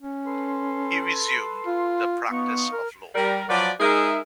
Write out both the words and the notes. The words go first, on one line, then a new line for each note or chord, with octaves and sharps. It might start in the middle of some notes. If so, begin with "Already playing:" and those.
He resumed the practice of law.
C#4
A4 B4 C6
F4
B3 D#4 F4 C#6
A#4
G3 A#4
F3 F#3 F#4 B4 D5
G#3 D#4 G#4 A#4 E5